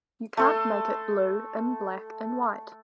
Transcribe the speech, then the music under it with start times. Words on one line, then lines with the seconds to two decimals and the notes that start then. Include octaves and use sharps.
You can't make it blue in black and white.
0.37 A3 A4 C6